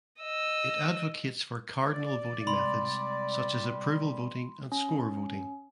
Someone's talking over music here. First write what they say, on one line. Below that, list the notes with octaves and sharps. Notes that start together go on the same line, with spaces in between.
It advocates for cardinal voting methods such as approval voting and score voting.
D#5 E6
D5
C3 G3 G#3 B5 C6
C#4